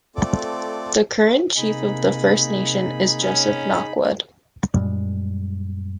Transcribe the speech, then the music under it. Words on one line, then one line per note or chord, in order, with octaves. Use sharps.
The current Chief of the First Nation is Joseph Knockwood.
A3 C4 F4 A4 D5 D6
C3 A#3 D#4 G#4 B5
C#4
F#2 A#2 G3 G#3